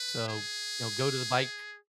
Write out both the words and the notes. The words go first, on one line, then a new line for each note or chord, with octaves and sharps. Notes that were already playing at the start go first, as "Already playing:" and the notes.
So, you know, go to the bike
Already playing: B4
G#4